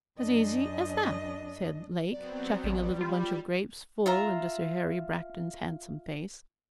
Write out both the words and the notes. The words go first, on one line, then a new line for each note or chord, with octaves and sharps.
'As easy as that,' said Lake, chucking a little bunch of grapes full into Sir Harry Bracton's handsome face.
F#2 D4 D#5
F#3 B3 C4 D5
A1 G3 D5
F4 B5
F4 E5 A#5